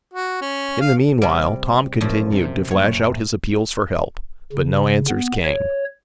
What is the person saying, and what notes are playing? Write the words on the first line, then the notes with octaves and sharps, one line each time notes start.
In the meanwhile, Tom continued to flash out his appeals for help, but no answers came.
F#4
C#4
F5
C3 G3
F#2 A#2 F3
C3
F#1 F#3 C#5
C#3
B3
C#5